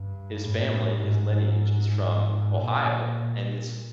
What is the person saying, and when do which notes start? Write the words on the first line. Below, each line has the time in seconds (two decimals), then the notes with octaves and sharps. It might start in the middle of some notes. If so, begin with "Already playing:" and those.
his family, his lineage is from Ohio, and it's
Already playing: G2
0.44 A2
0.97 G#2
2.04 G#2
2.58 A#2